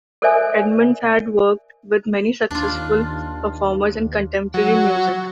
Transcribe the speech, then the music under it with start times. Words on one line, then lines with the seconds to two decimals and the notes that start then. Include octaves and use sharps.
Edmonds has worked with many successful performers in contemporary music.
0.22 A4 A#4 C5 D5 E5 G#5
2.51 D#2 D4 F4
4.54 F#3